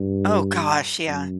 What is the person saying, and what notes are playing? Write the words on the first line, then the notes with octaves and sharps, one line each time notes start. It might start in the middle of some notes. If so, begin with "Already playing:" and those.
Oh gosh, yeah.
Already playing: G2
F#2